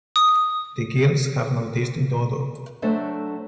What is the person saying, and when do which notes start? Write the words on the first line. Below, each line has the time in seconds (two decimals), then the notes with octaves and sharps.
The gills have no distinct odour.
0.16 D#6
2.82 F#3 A3 D4 A4 C5 E5